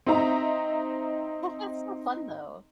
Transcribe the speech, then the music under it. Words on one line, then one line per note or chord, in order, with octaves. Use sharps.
That's so fun, though.
C4 D#4 E5 A#5